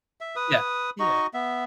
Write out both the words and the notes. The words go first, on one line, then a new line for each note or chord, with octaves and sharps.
Yeah, yeah.
E5
B4 D#6
D#4 F#4 D#5 C#6
B3 E5